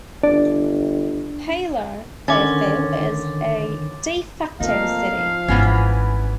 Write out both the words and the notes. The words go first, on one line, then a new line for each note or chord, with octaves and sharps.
Hailar, therefore, is a "de facto" city.
G1 D4 D5
D3 D#3 C#4 C6 D6 A6
F3 A3 A#3 C4 D#4 F5
F3
G#1 E3 B3 C#4